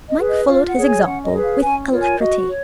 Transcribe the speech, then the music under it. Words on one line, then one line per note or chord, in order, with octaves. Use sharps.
Mike followed his example with alacrity.
D#5
G#4 B4
D#5
F4 F5
F#5
G#4 C#5
G#5
C#4 F#5
D#5
G#4 B4
F5
C#4 G#5
F4 A#4 C#5
G#5
F#4 D#5
C#5